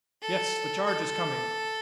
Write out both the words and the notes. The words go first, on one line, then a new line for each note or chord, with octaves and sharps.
Yes, the charge is coming.
A4
A4